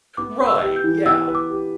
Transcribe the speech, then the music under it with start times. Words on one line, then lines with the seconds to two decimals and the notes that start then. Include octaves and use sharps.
Right, yeah.
0.17 B3 D6
0.40 B4
0.47 E6
0.61 G4
0.76 G6
0.84 E3
1.05 B3 E6
1.28 B4
1.35 D6
1.50 G4